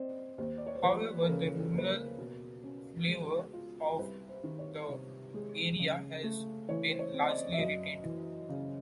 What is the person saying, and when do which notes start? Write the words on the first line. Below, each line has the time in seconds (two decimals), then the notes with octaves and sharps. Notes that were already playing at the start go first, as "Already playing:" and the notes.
However, the rural flavor of the area has been largely retained.
Already playing: C4 C5 D5 D#5
0.38 D#2 C5
0.58 D5
0.66 C#5
0.75 C5
0.83 F3 B4
1.23 A#4
1.28 C#3 A4
1.59 A4
1.74 A#3 B4
1.89 A#4
2.18 B2
2.64 C#4
3.08 G#3
3.53 F4
3.98 C2 B4
4.29 C5
4.44 D#3
4.59 C#5
4.89 C3
5.34 G#3
5.79 C#3
6.23 A3
6.69 E3 C#5
6.91 C5
6.99 C#5
7.14 C4
7.22 D#5
7.29 D5
7.53 E5
7.58 F#2 D#5
8.03 E3
8.49 C#3